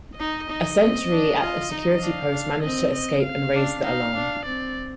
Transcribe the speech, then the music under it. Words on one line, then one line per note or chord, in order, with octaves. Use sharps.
A sentry at a security post managed to escape and raise the alarm.
D#4 D#5
D#4
C4
D4
F4
D#4
D4 F5
D4
C4 D#5
D#5
F5
D4
D#4 F5
D4
C4 D5